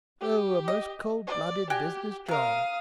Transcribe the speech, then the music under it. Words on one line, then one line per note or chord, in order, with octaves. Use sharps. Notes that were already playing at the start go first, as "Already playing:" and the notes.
Oh, a most cold-blooded business, John!
G4
D#5
D5
F#4 G4 G5 G#5
C3 A#4 F5 D#6